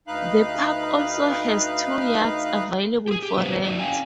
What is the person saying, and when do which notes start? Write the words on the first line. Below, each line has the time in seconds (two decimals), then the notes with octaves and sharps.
The park also has two yurts available for rent.
0.07 D2 D#4 B4 F5 F#6
3.08 G4 G#4
3.22 G4
3.38 C#3 F3 A#3 C#4 B4 C5
3.64 D#4 F#4 D5
3.79 C#4 F5 G5 G#5